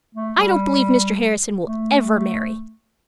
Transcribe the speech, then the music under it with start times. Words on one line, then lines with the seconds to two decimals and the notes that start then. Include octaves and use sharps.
I don't believe Mr. Harrison will ever marry.
0.15 A3
0.36 G3
1.67 A3